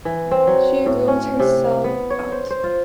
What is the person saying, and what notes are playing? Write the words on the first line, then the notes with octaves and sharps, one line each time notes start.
She ruled herself out.
E3
C4
F#3
A2
C#4
C3
B3
C#5
C5
C5
F4